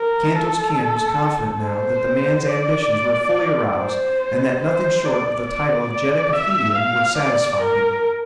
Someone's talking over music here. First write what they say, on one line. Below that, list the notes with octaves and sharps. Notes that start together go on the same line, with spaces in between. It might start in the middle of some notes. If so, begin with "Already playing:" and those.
Kantos Kan was confident now that the man's ambitions were fully aroused and that nothing short of the title of Jeddak of Helium would satisfy him.
Already playing: A#4
A4
C5
D5
C5
C5
D5
D5
D5
E5
F5
D5
A#4